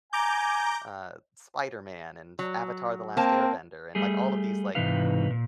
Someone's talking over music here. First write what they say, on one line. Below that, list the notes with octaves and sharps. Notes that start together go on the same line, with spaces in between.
Uh, Spider-Man and Avatar: The Last Airbender, and like all of these, like,
G#5 A#5 D6 G6
F#3
A#3 C4 A5
G3 A3 G#4
G#2 C3 E3 D#4 B4 F5
A#2